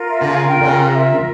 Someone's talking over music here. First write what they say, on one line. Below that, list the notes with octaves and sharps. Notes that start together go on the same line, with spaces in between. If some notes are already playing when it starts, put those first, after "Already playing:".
and, um
Already playing: F4 A#4
E5
F5
G5
E5